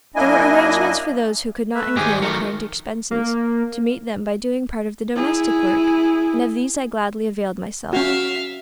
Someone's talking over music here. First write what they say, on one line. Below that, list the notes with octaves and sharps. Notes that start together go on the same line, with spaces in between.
There were arrangements for those who could not incur the current expenses, to meet them by doing part of the domestic work, and of these I gladly availed myself.
F#2 A#3 D4 E4 D#5 G#5
A3 B4 E5
G#2 D#3 G4 G#4 G#5
D#3 F#3 A3 A#4
A#3
E4 G#4
C#4 F#4 E5 F5